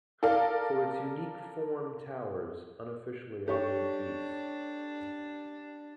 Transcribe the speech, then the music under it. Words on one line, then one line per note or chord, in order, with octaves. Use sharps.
For its unique form towers unofficially are named "geese".
A4 A#4 D5 F5
D4 G4 A4 C#5 C#6